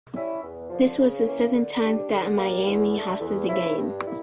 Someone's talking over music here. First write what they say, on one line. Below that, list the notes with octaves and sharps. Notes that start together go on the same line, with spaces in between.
This was the seventh time that Miami hosted the game.
G3 C#4 E4
E2
D3 F3
C#3
E3 A#3 C#4
D3
G3 D4
D3
G3 A#3
E2
D3 A3
E2
C#3 F3 C#4 E4
G2
D3 G3 A#3 E4